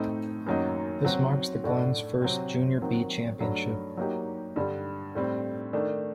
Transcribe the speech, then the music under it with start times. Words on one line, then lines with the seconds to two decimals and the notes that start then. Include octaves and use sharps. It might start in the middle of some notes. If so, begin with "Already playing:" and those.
This marks the Glens first Junior "B" Championship.
Already playing: A2 A3 C4 D#4
0.46 F#2 D#3 F#3 A#3 D#4
1.05 F#3 C4 F#4
1.64 A2 A3 D4 F#4
2.22 C3 F#3 C4
2.81 D#3 F#3 C4
3.39 G2 F#3 A3
3.97 F#3 A#3 D#4 G4
4.56 G2 D3 G3
5.15 A2 G3 C4
5.73 D#3 A3 D4